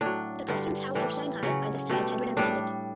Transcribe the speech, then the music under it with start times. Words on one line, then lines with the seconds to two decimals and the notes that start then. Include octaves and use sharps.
The Customs House of Shanghai by this time had been abandoned.
0.01 A2 F#3 D4
0.49 G2 D3 G3
0.95 A2 E3 G3 D4
1.43 C#3 F#3 C#4
1.90 B2 G3 A3
2.37 A2 G3 D4